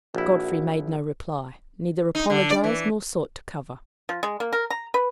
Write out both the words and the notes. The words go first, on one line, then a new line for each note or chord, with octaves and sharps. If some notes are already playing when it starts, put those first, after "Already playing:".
Godfrey made no reply--neither apologized nor sought to cover.
A#1 E4 F#4
D#4
D3
D5
E3
F3
G#3
A#3
A#4
A#5
B4